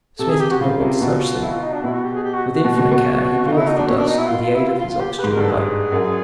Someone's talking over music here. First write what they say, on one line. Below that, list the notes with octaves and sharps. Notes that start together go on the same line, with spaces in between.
Smith did not want to touch them; with infinite care he blew off the dust with the aid of his oxygen pipe.
C3 A4
G#4
G4
F#4
C#3 F4
C3
B2
E4
F4
D#4
D4
B2 E4
F#4
G4
G#4
G4
F#4
F#4
B2
B2
B2
F4
D#4
E4
D#4
D4
A#2 C#4
D4
D#4
E4
F4
F4
E4
F4
F4
F4
G4
G#2 B4
A#4
G2 A4
G#4
F#2